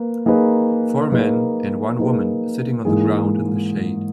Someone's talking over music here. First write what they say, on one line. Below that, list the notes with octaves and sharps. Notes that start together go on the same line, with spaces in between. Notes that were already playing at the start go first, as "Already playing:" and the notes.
Four men and one woman sitting on the ground in the shade.
Already playing: A#3 B4
A#3 D#4 G#4 B4
A#3 D#4 G#4 B4
A#3 D#4 G#4 B4
G#2 E3 A#3 D#4 G#4